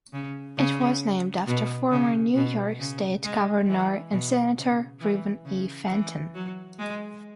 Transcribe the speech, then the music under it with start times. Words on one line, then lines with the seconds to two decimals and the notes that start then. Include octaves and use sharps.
It was named after former New York State governor and senator Reuben E. Fenton.
0.13 C#3
0.57 C#3
1.47 B2
1.91 C#3
2.35 B2
2.79 C#3
3.24 G#3
3.69 E3
4.12 B2
4.57 C#3
5.01 E3
5.45 C#3
5.90 E3
6.34 F#3
6.79 G#3